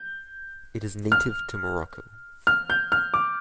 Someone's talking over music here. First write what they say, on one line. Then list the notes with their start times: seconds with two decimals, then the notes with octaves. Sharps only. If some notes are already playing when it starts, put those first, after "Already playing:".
It is native to Morocco.
Already playing: G6
1.12 F6
2.47 F6
2.70 G6
2.92 F6
3.14 D6